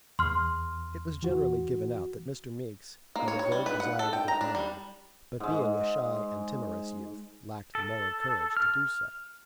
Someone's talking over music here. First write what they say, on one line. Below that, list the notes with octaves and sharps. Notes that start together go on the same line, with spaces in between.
It was generally given out that Mr. Meeks had a vague desire to get married, but, being a shy and timorous youth, lacked the moral courage to do so.
E2 C6 F6
E3 F#4
A#3
C#5
C#5
G3
B4
F#5
A4
G5
A#5
D4
G3
G#2 G#3
A4
F6